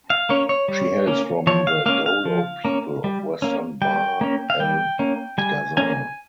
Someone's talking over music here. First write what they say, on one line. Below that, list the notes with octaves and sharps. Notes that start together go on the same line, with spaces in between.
She hails from the Golo people of Western Bahr el Ghazal.
F5
A#3 C#4 C#5
C#5
G3
A#3 C#4
F3 C#5
F5
A#3 C#4 F5
F5
F3
A#3 C#4
G3
A#3 C#4
G3 G5
A#3 C#4
F5
G3 G5
A#3 C#4
G3 G#5
A#3 C#4 G#5